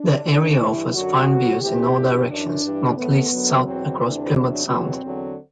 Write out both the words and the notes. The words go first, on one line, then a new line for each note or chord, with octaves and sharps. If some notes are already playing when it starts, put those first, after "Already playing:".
The area offers fine views in all directions, not least south across Plymouth Sound.
Already playing: D4
D2 C3 E3
G2 E3 E4
F#2 D3 F#3 F#4
A2 F#3
D2 C3 E3 G4
G2 E3
F#2 E3 D4
G2 E3
A2 E3 B3
F#2 D3 F#3
E2 B2 F#3 C4
D2 C3 E3 D4
E2 C3 F#3 D4
E2 B2 F#3 C4
E2 D3 F#3